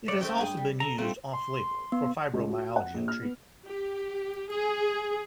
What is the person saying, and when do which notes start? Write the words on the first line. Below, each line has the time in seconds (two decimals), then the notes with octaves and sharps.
It has also been used off-label for fibromyalgia treatment.
0.08 F#2 C#3 C#5 D5
0.21 C#3 A3 C4 G5
0.38 G2 G#4
0.57 G3
0.80 A4 A#5
0.98 D2 G3 A3 C4 F4
1.33 C6
1.92 B3
2.33 C#2
2.49 F#4
2.76 F#5
2.94 A#1
3.08 F6
3.22 B3
3.66 G4
4.49 G#4